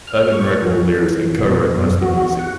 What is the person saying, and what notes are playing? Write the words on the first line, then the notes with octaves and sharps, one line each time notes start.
Urban wrote all of the lyrics and co-wrote most of the music.
F6
C#6
F3
E3
B2
F#2
F#4
F#5